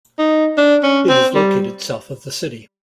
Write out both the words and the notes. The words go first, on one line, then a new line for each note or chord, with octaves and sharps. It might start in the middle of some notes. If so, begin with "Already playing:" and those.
It is located south of the city.
D#4
D4
C#4
C4
G3